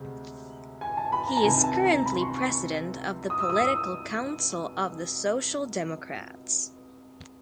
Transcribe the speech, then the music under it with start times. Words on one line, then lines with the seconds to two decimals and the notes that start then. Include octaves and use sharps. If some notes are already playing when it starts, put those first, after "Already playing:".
He is currently president of the Political Council of the Social Democrats.
Already playing: D2 C3 G#3 C4
0.81 G#5
0.97 A5
1.12 B5
1.27 A#5
1.37 A5
1.43 C#2 C3 D#3 G#5
1.64 A5
1.85 A#5
2.06 B5
2.16 C6
2.22 C#6
2.37 C#6
3.30 D#6
3.40 E6
3.50 D#6
3.61 E6